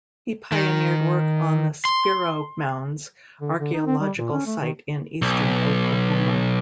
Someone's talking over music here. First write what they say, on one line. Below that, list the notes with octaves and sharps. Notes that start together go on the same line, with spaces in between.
He pioneered work on the Spiro Mounds archaeological site in eastern Oklahoma.
D#3
C6
D3
D3
D#4
C4
G3
A#2
C#4
A3
D#3
B1